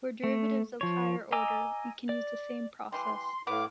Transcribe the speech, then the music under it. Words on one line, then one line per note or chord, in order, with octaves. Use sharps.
For derivatives of higher order, we can use the same process.
A3
F3 C#5
D#5 G#5 A#5 D6 E6
D5
E3 G3 C6
A2 B3 F5 D6